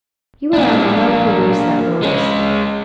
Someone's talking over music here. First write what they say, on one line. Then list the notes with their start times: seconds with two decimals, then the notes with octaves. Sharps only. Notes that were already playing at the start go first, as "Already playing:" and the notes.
"You are a lalapazooza, Oakes."
0.53 A#3 D4
2.03 G#3 C#4